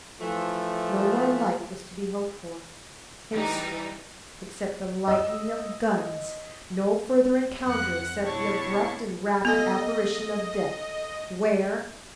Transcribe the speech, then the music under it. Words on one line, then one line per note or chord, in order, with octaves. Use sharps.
No more light was to be hoped for, henceforth, except the lightning of guns, no further encounter except the abrupt and rapid apparition of death. Where?
E3 F3 A3
E3 G3 D#4
D#5 E6
F2 F#5 F#6
B2 D4 E4 C#5 A5 C#6
B3 F4 A4 D#5